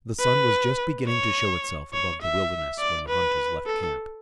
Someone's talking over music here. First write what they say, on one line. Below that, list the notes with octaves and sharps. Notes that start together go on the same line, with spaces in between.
The sun was just beginning to show itself above the wilderness when the hunters left camp.
B4
C#5
C#5
E5
D5
B4
A4